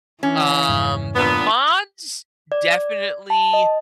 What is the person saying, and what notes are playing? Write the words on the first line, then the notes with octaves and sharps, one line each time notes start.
Um, the mods definitely
E3 C#4
F2 G#2 C#3
A#2 B3 D4
D5
A5
D#5